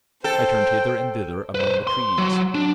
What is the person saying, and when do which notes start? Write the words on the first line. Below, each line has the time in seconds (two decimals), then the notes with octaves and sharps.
I turned hither and thither among the trees.
0.24 A4 C5 G5
1.55 B4 C5
1.87 C6
2.18 F#3
2.55 D4